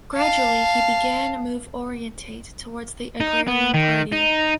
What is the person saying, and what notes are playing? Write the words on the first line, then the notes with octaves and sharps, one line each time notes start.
Gradually he began move orientate towards the agrarian party.
F5 A5
D#4
B3
D#3
D#4